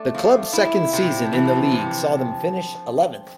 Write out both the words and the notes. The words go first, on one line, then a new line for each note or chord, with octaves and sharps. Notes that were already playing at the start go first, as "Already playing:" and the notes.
The club's second season in the league saw them finish eleventh.
Already playing: A3 D4
F3
E4
C3 C4
F3
E3
F3
C3